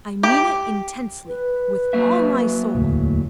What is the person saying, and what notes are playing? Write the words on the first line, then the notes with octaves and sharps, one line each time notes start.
I mean it intensely--with all my soul.
G4
B4
F#3 A#3 E5
E1 D2 A2